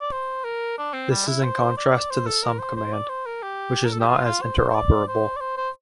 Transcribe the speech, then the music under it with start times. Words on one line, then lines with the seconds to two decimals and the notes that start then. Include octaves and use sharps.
This is in contrast to the sum command, which is not as interoperable.
0.01 D5
0.12 C5
0.44 A#4
0.78 D4
0.93 C4
1.11 G3
1.27 E4
1.43 C5
1.77 D5
2.10 C5
2.26 A4
2.43 A#4
2.59 C5
2.76 C5
2.93 D5
3.09 C5
3.26 A#4
3.42 G4
3.84 A#4
3.92 A4
4.00 G4
4.08 F4
4.25 F4
4.41 C5
4.58 C5
4.69 C5
4.74 D5
5.08 C5
5.36 D5
5.40 C5
5.57 C5